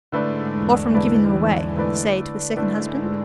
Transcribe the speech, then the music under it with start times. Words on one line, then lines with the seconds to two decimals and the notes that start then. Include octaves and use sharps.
"Or from giving them away,--say to a second husband."
0.12 G#2 D3 G#3 A3 E4 B4 D5
0.52 E2 E3
0.94 D3 A3 E4 B4 D5
1.76 D3 A3 E4 B4 D5
2.56 G#2 D3 G#3 A3 E4 B4 D5